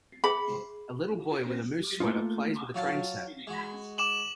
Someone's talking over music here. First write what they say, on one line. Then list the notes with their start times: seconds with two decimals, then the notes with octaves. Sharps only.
A little boy with a moose sweater plays with a train set.
0.24 G#4 E5 G5 B5
2.00 A3 A#3 C#4 D#4 F4
2.74 F#3 F4 A5
3.47 G#3 F#4
3.98 D6 E7 F#7